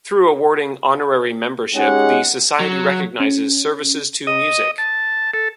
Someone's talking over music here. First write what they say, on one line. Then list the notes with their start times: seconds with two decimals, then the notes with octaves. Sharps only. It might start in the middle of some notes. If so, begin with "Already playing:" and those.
Through awarding honorary membership the society recognises "services to music".
1.74 G#3 C#4 D#4 G4 G#4 F#5
2.60 F#3
3.20 C#4
4.27 D#5
4.78 A5
5.34 A4